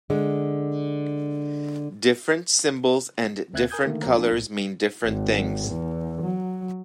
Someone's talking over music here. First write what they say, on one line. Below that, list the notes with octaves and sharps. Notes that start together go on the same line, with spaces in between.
Different symbols and different colours mean different things.
D3 G#3
D2 C4 E5 F#6 G#6
A#4 G#5 D#6 G6 G#6
D3 D#3 A3 A#3
D2 C3 F#3 A#3 A#5
F3 A#3 C4 D4
B1 A2
G#1
E2
F#3